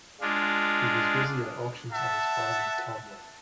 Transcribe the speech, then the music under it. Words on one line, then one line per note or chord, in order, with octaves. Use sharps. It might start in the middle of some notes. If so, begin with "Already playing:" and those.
He was busy at auctions on his farm in Tamworth.
G#3 D4 F4
E5 F#5 A5